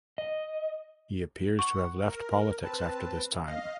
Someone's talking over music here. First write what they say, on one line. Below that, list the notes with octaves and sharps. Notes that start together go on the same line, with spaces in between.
He appears to have left politics after this time.
D#5
F#5 C#6
A#4
C4 B4 A5
D#5 F5